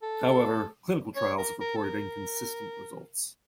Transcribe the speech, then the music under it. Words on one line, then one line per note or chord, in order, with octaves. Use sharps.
However, clinical trials have reported inconsistent results.
A4
C#5
A#4
A#4
A4
A#4